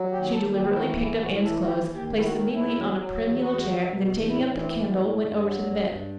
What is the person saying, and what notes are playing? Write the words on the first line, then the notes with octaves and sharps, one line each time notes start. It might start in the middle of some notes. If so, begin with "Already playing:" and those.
She deliberately picked up Anne's clothes, placed them neatly on a prim yellow chair, and then, taking up the candle, went over to the bed.
Already playing: F#3
D#2 G4
D#2 A4
D#3 G4
E4
E3 F#4
A2 E4
A2 F#4
E3 A4
F#4
D#2 G4
D#2
G4
D#3
E4
F#4
D#2
E2 E4
F#3
F#3
E2
E2 F#4
F#3
B2
E2
A2 E4
E3
C4
A2
B3
A2
G2 G3
F#3
G2 G3
G2 F#3